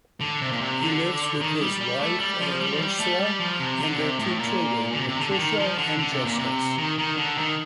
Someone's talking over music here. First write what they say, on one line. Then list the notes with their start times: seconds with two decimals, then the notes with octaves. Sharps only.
He lives with his wife, Aorsra, and their two children, Patricia and Jostas.
0.21 D3
0.42 C3
0.52 A#2
0.61 C3
0.82 D3
1.41 D#3
1.61 G3
1.80 G3
2.01 A3
2.20 G3
2.41 F3
2.60 G3
2.72 F3
2.80 G3
3.00 A3
3.20 G3
3.39 F3
3.60 C3
3.80 D3
3.95 A#2
3.99 C3
4.19 A2
4.39 A#2
4.93 D3
4.98 C3
5.09 C3
5.19 D3
5.31 D3
5.39 D#3
5.59 F3
5.78 D3
5.99 D3
6.11 C3
6.25 A#2
6.39 C3
6.78 D#3
6.98 D#3
7.17 D3
7.38 D#3